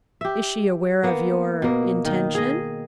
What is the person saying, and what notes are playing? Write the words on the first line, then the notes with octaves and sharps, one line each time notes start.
"Is she aware of your--intention?"
G4 E5
A#3 B3
B2 A#3
D#3 D#4
G#4 D#5